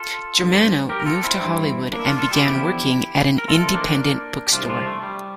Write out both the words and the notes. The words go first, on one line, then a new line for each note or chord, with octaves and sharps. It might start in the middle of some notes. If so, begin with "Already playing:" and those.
Germano moved to Hollywood, and began working at an independent bookstore.
Already playing: F4 A4
G2 D3 F3
G4 A#4
A#4
F4 A4
C4 E4
G2 E3
A#3 D4
E4
D4 F4
F4 A4
E4 G4
E2 D3 F3 E4 G4
A#4
F2 E3 F4 A4
A#3 D4
G4
C2 C3 F3 D4 F4
D4 F4
A3
G3